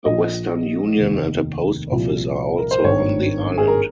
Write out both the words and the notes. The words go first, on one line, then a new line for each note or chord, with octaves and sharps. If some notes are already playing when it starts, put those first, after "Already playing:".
A Western Union and a post office are also on the island.
A#1 A#2 F3 D#5
F1 D#2 D#3
C2 A#2 F3
A#4
C5
G#1 G2 D#3 C#5
G#4
A#4